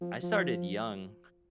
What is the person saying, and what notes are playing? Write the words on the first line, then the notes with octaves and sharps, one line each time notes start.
I started young.
F3
F3